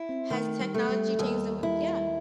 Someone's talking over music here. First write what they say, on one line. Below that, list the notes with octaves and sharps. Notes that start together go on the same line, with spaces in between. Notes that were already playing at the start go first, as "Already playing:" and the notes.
Has technology changed the way Yeah.
Already playing: E4
C4
D#3 A3
G3
A3
G3
D#2 G3
G3 E4